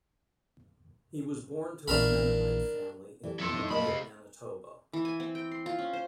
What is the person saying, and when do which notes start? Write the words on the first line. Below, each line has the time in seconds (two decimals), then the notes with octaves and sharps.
He was born to a Mennonite family in Winnipeg, Manitoba.
1.88 A#1 A#2 E3 D4 A#4 B5
3.24 E3 G4 A4 D5
3.40 F2 E4 A4 C6
3.54 D4 D#4
3.71 C#2 A#3 A#4 D#5 A5 B5
3.85 C3 G#4 A4 B4 C7
4.93 E3
5.05 G#5
5.20 C4
5.35 G5
5.51 C6
5.66 F4
5.79 C#4
5.93 C5